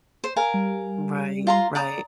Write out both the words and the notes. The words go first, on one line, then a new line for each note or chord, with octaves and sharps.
Right, right.
C5
A#4 F5 G#5
G3
F4 A#5 C6
D5 A#5 D#6